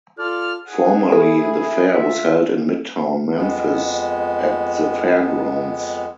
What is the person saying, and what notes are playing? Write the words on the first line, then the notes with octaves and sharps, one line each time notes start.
Formerly, the fair was held in midtown Memphis at the Fairgrounds.
F4 A4 D5 F6
G#4 F#5
E4 A4
F4 E5
F2 G#3 B3